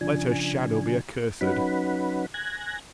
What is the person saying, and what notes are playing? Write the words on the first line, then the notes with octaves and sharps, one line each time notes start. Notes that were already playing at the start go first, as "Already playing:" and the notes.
Let her shadow be accursed.
C#3 F3 D4 G#5
F#3 C#4 D#4 B4 F#5 B5
G#5 F#6 G#6 A#6